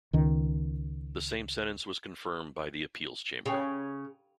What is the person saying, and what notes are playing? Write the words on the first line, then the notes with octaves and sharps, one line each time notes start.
The same sentence was confirmed by the appeals chamber.
C#2 D#3
C#3